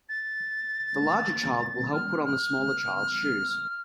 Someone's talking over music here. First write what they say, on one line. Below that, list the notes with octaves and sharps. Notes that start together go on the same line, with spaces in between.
The larger child will help put on the smaller child 's shoes.
A6
F6
F6